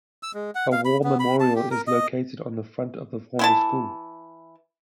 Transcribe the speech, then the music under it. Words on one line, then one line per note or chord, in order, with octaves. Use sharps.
A war memorial is located on the front of the former school.
E6
G#3
F#5
F5
B5
B3
B5
A5
G4
A#4
D#5
E3 E4 A5